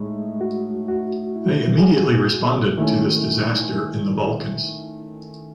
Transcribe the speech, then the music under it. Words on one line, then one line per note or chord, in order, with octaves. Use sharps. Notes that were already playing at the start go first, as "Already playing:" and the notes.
They immediately responded to this disaster in the Balkans.
Already playing: A2 G#3 D#4
F#4
F#4
E4
G#4
F#4
D#3 A3 C#4 E4